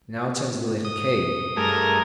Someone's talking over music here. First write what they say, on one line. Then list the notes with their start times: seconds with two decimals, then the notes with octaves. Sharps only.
Now turn to the letter k.
0.85 D#6
1.57 G2 A3 G#4 A#4 A#5